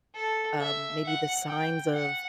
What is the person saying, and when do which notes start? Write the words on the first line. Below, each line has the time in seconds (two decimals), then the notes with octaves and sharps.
Um, maybe the signs of
0.15 A4
0.60 E5
1.05 F#5
1.49 G5
1.94 F#5